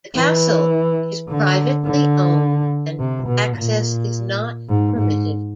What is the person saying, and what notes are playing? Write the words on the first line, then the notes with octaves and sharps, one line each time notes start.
The castle is privately owned and access is not permitted.
E3
D3
D3
C3
B2
A#2
G#2
G#2